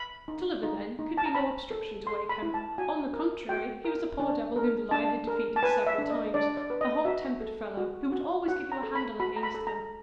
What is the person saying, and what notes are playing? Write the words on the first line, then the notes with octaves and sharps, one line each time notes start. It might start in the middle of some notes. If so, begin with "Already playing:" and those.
Tulliver, then, could be no obstruction to Wakem; on the contrary, he was a poor devil whom the lawyer had defeated several times; a hot-tempered fellow, who would always give you a handle against him.
Already playing: B5
D#4
D#4
D#4
A5
A#5
C5 B5
A4
A4 C6
B5
E4
A5
F#4 G#5
A#4
F#4 G5
A#4
D4
A#4
D4 A5
A#4
A5
B4 G#5
E5
D4
D#5
D4 D5
D5
B4
D#5
F#4 E5
A4
F#4
F#4
F#4 F#5
A#5
A4
B5
F#4 B5
A#5
B5
A4
A#5